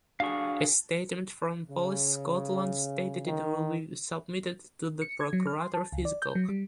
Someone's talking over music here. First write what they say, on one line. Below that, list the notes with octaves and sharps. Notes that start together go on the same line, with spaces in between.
A statement from Police Scotland stated it would be submitted to the Procurator Fiscal.
D4 F#4 G#4 F5 C#6
C#3
D#3
C#7
G#6
F#3
F6
C6
A5
C#2
D5
G6
F#3
G3